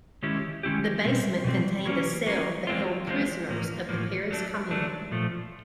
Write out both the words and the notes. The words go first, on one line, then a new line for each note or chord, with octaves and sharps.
The basement contained a cell that held prisoners of the Paris Commune.
D#3 G#3 C#4 E4 G4
D#3 G#3 C#4 E4 G4
B2 G3 C4
B2 G3 C4
F#3 A#3 C#4
F#3 A#3 C#4
E3 G#3 C4 F4
E3 G#3 C4 F4
A2 F3 A#3
A2 F3 A#3
F#3 A3 D4
F#3 A3 D4
A#2 F3 A3